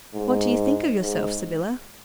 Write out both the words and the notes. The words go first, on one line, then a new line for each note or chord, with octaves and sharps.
"What do you think of yourself, Sybylla?"
G#2
G#2